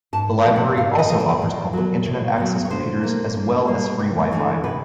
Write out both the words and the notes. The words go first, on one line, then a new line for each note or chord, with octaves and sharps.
The library also offers public Internet access computers as well as free wifi.
G#2 A5
F3 A3
F#5
G#2 F5
D#5
F3 A3 D#5
D5
A2
F#3 B3
A2
F#3 B3
C#5
D3 C5
G3 A#3
D3
G3 A#3
C3
E3 A3 D4
C3 B4